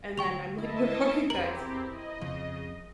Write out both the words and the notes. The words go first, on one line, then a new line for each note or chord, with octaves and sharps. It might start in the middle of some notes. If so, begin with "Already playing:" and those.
and then I'm like, "Where are you guys?"
D2 G5 C#6 F7
E4 D#5 E5 A5
E2 C4 G4 A#4 F#7
D#5
F2 C#3